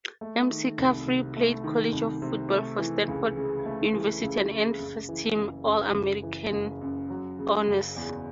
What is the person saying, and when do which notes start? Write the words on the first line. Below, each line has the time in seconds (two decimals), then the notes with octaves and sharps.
McCaffrey played college football for Stanford University and earned first-team All-American honors.
0.21 A3
0.49 D#3
0.78 C2
1.07 C3
1.36 A3
1.64 D#3
1.93 C2
2.22 C3
2.50 A3
2.79 E3
3.08 C#2
3.37 C#3
3.66 A3
3.93 E3
4.23 C#2
4.51 C#3
4.80 F#1
5.09 E3
5.38 F#1
5.66 F#2
5.94 F#1
6.23 E3
6.52 F#1
6.81 F#2
7.10 F#3
7.39 C#3
7.68 F#1
7.96 E2